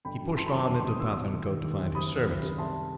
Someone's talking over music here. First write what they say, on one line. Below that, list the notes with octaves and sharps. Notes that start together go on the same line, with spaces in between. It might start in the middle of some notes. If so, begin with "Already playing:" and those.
He pushed on into Pathankote to find his servants.
G1 G5 B5
F#2
F#2 A5 C6
B5
D#3 A5 C6
E1
C6
E1 D#6
B2 C6 E6
E1
D#2
D#3
D#2
D#3
F#1 B5 D#6
D#3
F#1
C3
C2 A5 C6